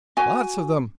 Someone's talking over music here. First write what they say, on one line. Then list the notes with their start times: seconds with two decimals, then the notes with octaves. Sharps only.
Lots of them.
0.17 F#4 G#5